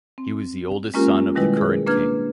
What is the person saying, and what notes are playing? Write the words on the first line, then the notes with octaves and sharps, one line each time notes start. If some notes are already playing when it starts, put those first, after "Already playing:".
He was the oldest son of the current king.
C4
G#3 A#3 C#4 F4 G4 A#4
B2 D#3 G3 G#3 E4 B4
G#4 A#4
A#3 D4 B4 F6 G#6